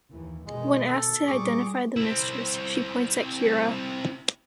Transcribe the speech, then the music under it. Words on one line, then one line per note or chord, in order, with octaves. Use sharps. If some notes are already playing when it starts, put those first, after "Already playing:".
When asked to identify the mistress, she points at Kira.
D#2 E3
B2 D#3 G#3
A4
A#2 G3 G#4 C#6 D6
C4 E4